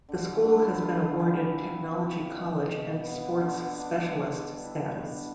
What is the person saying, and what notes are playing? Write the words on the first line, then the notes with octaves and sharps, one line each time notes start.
The school has been awarded Technology College and Sports specialist status.
D3
D3
E4
B3 F4
E3
C3
C3
B2
B2
B3
D3
D4
D4
G3 D4
E4
D4
B2